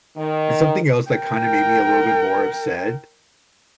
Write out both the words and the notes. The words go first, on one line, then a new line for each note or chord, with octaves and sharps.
and something else that kinda made me a little bit more upset,
D#3
A#4 G5